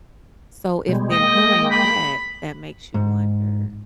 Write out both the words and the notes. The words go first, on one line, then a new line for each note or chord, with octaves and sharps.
So if they're doing that, that makes you wonder,
B2 G3 G#3
G#3 A#3 D#5 G5
B5
G#2